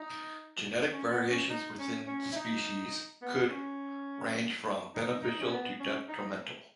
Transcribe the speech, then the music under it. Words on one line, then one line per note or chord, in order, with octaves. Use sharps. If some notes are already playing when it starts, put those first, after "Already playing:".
Genetic variation within a species could range from beneficial to detrimental.
Already playing: D#4
C#4
B3
C#4
D#4
C#4
C#4
E4
D#4
B3
C#4
D#4
D#4
C#4
B3
C#4
D#4